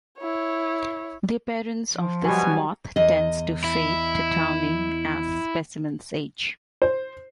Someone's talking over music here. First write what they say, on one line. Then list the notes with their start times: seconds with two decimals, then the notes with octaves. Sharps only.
The appearance of this moth tends to fade to tawny as specimens age.
0.19 E4 C#5
1.92 F3
2.24 B2 F#3 G3 G#5
2.96 E2 D#5
3.64 E4
6.82 C5